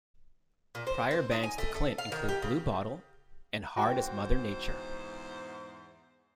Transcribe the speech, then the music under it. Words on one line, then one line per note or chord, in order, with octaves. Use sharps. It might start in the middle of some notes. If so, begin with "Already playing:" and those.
Prior bands to Clint include "Blue Bottle" and "Hard As Mother Nature".
A#2
C5
C4
D#4
G#5
A3
A4
F5
D#3
G4
C#3
E2 G#2 F#4 C5 G5